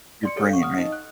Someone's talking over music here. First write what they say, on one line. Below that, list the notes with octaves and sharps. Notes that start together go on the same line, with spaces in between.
your brain, right?
D5 C6 C#7
G4 A4 C#5
F5 C#6
F#5 D#6 F6
D#4 D#5
F#6